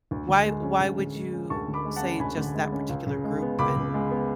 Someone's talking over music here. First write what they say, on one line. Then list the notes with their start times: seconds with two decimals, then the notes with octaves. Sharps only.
why why would you say just that particular group and,
0.11 D2
0.28 D3
0.46 G#3
0.63 C#4
0.80 D2
0.98 D3
1.15 G#3
1.33 C#4
1.50 D2 A5 C#6
1.68 D3
1.74 B5 D6
1.85 G#3
1.96 F#5 A5
2.02 C#4
2.20 D2 G#5 B5
2.37 D3
2.55 G#3
2.72 C#4
2.89 C#2
3.07 C#3
3.24 G#3
3.42 B3
3.59 C#2 B5 D6
3.76 C#3
3.94 G#3
4.11 B3